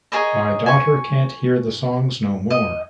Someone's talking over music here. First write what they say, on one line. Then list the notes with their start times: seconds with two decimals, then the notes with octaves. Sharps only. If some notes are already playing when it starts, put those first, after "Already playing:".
My daughter can’t hear the songs no more.
0.12 G#4 A#4 C#5 D#5
0.66 G#5 C#6
2.50 D#5